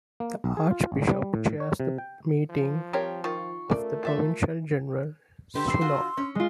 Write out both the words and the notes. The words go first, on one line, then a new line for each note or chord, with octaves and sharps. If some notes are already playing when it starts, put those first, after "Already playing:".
The Archbishop chairs the meeting of the Provincial General Synod.
A#3
B1
G#4
F4
G#1
G3
A2
C#5
C3
G5
F3
G3 C4 G4 A#4 C#5
D#3 F4 C#6
C#3 A3 A#4 D5
F4 A4 E5
D3 G4 B4 C6
E6 C7
F4 F#4
C#4
G#3 F4